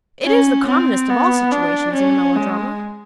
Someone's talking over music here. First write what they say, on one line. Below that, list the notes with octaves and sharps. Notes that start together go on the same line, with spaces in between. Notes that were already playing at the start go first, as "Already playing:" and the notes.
It is the commonest of all situations in a melodrama.
C#4
C4
B3
D4
C#4
G#3